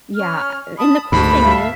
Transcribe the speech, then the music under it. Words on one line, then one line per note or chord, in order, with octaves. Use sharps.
Yeah, uh a and the cool thing is
C#4 F6
A5 B5 D#6
D2 G#2 A5 B5
E5 F5 A5